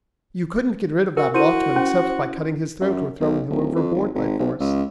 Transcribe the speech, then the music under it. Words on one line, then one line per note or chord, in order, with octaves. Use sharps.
You couldn't get rid of that watchman except by cutting his throat or throwing him overboard by force.
F#4 A#4
E4 F#4 C5 D#7
C#4
F#2
B1
D1
F2
G#1
G#1
B1
C#2